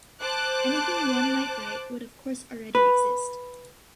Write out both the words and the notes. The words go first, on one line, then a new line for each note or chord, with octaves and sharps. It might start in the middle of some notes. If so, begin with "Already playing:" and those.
Anything one might write would of course already exist.
C5 A5 D6 F#6
B4